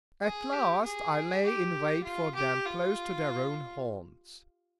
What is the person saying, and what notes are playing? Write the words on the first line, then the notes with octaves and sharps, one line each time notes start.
At last I lay in wait for them close to their own haunts.
G#4
G4
G#4
G4
F4
G4
F4